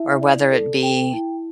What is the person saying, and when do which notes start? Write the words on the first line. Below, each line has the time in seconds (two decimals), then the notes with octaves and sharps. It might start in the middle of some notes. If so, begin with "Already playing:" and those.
or whether it be
Already playing: E4 E5
0.21 D5
0.52 A4
0.83 G5
1.13 E4